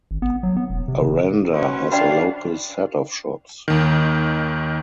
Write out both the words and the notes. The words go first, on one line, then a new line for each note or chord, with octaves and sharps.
Aranda has a local set of shops.
G#1
B3
F#3
B3
E1
C3
C#3
C#4 F#4 B4 C5
D4 D5 F5 G5 B5
D#2 D#3